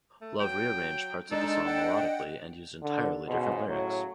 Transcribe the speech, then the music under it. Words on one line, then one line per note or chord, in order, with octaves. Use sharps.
Love re-arranged parts of the song melodically and used entirely different lyrics.
A3
F#3 G5
G#3 D4 D#4 A4 D#5
D#5 F#5 G5
D3
C#2 G#2 B2
A2 C#3 F#3